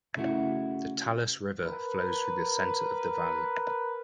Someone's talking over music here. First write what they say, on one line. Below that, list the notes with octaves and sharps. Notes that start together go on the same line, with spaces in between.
The Talas River flows through the center of the valley.
C#3 A3 E4 F#4
A#4 B4